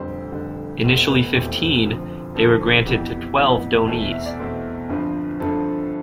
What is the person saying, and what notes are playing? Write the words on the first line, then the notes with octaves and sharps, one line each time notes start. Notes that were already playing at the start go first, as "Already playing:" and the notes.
Initially fifteen, they were granted to twelve donees.
Already playing: F1 F2 D3 G3 C5
F1 F2 D3 G3
F1 E2 B2 A3 C4
B4
F1 E2 B2 A3 C4 G4
D2 C3 F3
D2 C3 F3 A4
F2 E3 B3 G4
F2 E3 B3
E2 B2 A3 C4 A4
E5
E5
D5
E2 B2 A3 C4
G1 G2 F3 C4
G1 G2 F3 C4 A4